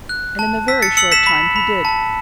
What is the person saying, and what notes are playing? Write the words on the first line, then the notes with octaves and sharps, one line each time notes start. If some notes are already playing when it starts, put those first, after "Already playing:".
And in a very short time he did.
F#6
A5
E6 B6
A6 C#7
E6 C#7 F#7
B6 E7
B5 B6
B5
A5